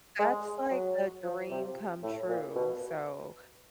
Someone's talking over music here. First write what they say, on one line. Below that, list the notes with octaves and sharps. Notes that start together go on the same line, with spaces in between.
That's, like, a dream come true, so,
G#3
F#3
F3
C3
A2
A#2
B2